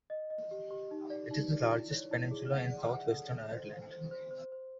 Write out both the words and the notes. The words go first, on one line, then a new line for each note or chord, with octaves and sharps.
It is the largest peninsula in southwestern Ireland.
D#5
D#5
G4
G4
D#4
D5
D#4
D5
E4
C#5
E4
G#4
F#5
D5
F#5
A4
A4
C5
A4
C5
C5
C5
C5